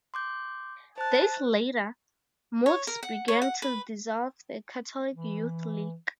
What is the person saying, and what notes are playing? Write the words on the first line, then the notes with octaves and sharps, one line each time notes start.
Days later, moves began to dissolve the Catholic Youth League.
C6 D6 G6
C5 A5 F#6
C#5
A#4
F#5
C#5
F#5
B4
E3